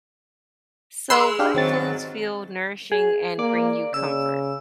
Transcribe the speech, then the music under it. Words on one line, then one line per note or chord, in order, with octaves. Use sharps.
So what foods feel nourishing and bring you comfort?
G#3 B4 C6 E6
D4 G4 F5
G#2 D#3 F#3 C4 A6
G#4
A#3 D5
C#3 E6